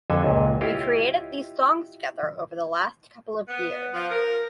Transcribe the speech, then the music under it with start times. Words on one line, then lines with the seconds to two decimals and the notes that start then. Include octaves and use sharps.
We created these songs together over the last couple of years.
0.10 F2 D3 A4 G#5
0.24 C#2 A#2
0.61 E4 F4 G4 C#5 D#5 F5
3.48 B3
3.93 F3
4.10 A#4